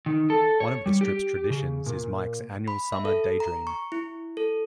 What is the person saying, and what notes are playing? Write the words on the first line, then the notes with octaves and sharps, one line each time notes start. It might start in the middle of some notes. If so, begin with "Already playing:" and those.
One of the strip's traditions is Mike's Annual Summer Daydream.
D#3
A4
C#5
G3
G4
C#3
A#2
B5
E5
A4
A#5
C#6
E4
A4